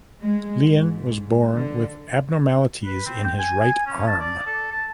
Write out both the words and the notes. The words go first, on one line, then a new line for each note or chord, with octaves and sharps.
Lian was born with abnormalities in his right arm.
G#3
G#2
D3
B4
C4
G5
G#5
G#5
C#4
A5
D5
A4
A5